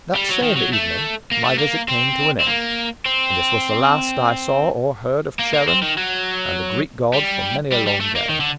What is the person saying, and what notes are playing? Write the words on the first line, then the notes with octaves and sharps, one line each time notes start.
That same evening my visit came to an end, and this was the last I saw or heard of "Charon" and "the Greek god" for many a long day.
G3
F#3
D#3
F#3
A3
A#3
A3
A#3
C4
C4
A#3
C4
A#3
A#3
C4
D#3
F#3
G3
G3
G3
A3
A#3
D#3
D3